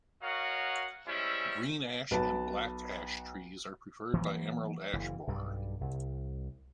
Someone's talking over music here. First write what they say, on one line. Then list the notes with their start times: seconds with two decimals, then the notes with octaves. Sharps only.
Green ash and black ash trees are preferred by emerald ash borer.
0.21 F#4 A#4 C#5 D#5 F5 F#5
1.06 G3 G#3 C#4 E4 C5 E5
2.11 B1 B4 A5 B5
4.13 E3 F#3 A#3
4.93 F#1 E3
5.27 B1 G2 G3
5.81 C2